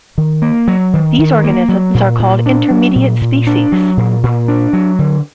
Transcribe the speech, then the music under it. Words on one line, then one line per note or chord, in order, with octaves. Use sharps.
These organisms are called intermediate species.
D#3
A#3
F#3
D#3
D#3
A#3
F#3
A#2
A#2
D4
F#3
A#2
A#2
D4
F#3
A#2
A#2
D4
F#3
D3